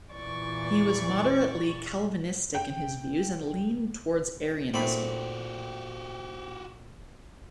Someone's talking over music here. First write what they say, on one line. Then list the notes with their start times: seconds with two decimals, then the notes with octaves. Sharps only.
He was moderately Calvinistic in his views and leaned towards Arianism.
0.12 E2 A#2 E3 D5 C#6
2.55 G5
4.74 A#2 A3 C4 D#4 F#4 G4 B5